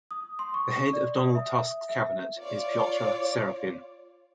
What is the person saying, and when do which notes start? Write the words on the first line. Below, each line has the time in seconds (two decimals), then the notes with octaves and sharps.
The head of Donald Tusk's cabinet is Piotr Serafin.
0.11 D#6
0.39 C6
0.54 C#6
0.93 D5
1.15 D#6
1.35 E5
1.89 E5
2.38 F4 C#5 D5